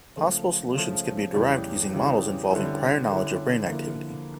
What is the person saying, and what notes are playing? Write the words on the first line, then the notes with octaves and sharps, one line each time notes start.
Possible solutions can be derived using models involving prior knowledge of brain activity.
C#3 F3 A3
C#3 F3 A3
E2 C#3 G3
E2 C#3 G3
D3 G3 C#4 E4
D3 G3 C#4 E4
D3 F3 A#3 E4